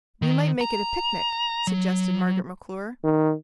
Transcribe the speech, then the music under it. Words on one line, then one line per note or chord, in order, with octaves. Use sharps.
"We might make it a picnic," suggested Margaret McClure.
D#3
A#5
F#3
D#3